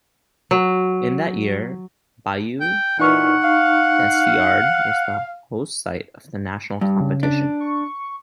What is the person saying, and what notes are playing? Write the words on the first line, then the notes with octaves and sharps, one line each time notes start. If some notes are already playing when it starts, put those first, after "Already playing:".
In that year, Bayou Desiard was the host site of the national competition.
F#3
G5
A#2 E3 D#4 F#5 C#6 F6
F5
G2 G3
C#3
D4
C#6